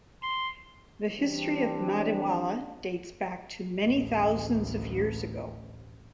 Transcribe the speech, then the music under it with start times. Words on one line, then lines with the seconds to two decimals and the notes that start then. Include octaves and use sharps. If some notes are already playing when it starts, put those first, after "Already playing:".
The history of Madiwala dates back to many thousands of years ago.
0.23 C6
1.16 E3 G3 C4 D4
3.83 A1 D2